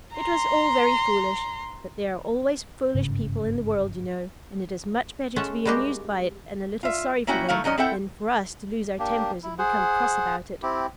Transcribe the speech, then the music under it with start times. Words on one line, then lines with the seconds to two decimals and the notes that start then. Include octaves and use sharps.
It was all very foolish, but there are always foolish people in the world, you know, and it is much better to be amused by it and a little sorry for them, than for us to lose our tempers and become cross about it.
0.16 A#5 C6
2.95 G1 G#2 C#3
5.36 G#3 A3 C#4 A4 E5 F#5
5.65 G3 G#3 A#3 F#4 G4
6.83 F4 E5
7.27 A#3 C#4 E4 F#4 G5
7.48 D#3 A3 E4 F5
7.64 D#3 F#3 C#4 D#5
7.78 C4 E4 A4 E5 F#5 G5
8.99 A#3 D4 G4
9.43 E4
9.58 G#4 C5 F#5
10.63 C4 E4 G4